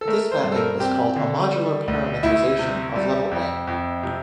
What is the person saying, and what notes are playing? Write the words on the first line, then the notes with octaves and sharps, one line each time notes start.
This mapping is called a modular parametrization of level "N".
A4
A3 A#4
C5
G2
A4
A#4
C4 G4
D3
G3
D2
D2 E4
C3
G3
F2
F2
C3